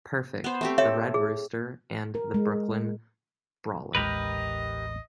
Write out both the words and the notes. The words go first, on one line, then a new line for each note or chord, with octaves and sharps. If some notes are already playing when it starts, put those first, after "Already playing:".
Perfect, The Red Rooster, and The Brooklyn Brawler.
B3 C5
A3 C4 G4
A4 C#5 E5
G#4
A#4
G#3
A1 D#2 G#3 G4 A#4 B4 D#5